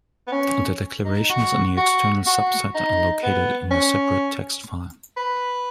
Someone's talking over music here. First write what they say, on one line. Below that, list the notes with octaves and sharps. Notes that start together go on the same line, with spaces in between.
The declarations in the external subset are located in a separate text file.
B3
C#4
D#4
F#4
F#4
F#4
D#4
B3
C#4
B4